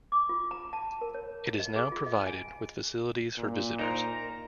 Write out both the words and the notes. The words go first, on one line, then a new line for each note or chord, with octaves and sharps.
It is now provided with facilities for visitors.
D6
F4
A#5
A5
A#4
C#5
A#5
D#5
G#4
F4
D#5
G#5
A#2
D#4 A#4 C5 A#5